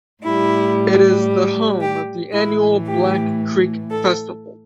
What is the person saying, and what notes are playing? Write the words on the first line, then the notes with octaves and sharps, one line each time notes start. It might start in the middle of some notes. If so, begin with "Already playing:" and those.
It is the home of the annual Black Creek Festival.
A2 G3 E4
G4
A2 E3 A3 E4
G4
A4